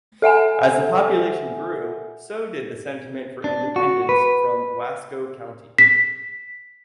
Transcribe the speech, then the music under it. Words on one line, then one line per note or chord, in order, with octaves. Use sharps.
As the population grew, so did the sentiment for independence from Wasco County.
A4 E5 F#5 G#5
D4
F#4
B4
B6